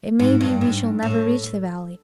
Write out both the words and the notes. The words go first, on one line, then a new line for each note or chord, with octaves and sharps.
It may be we shall never reach the Valleys.
G#2
G2
G#2
A2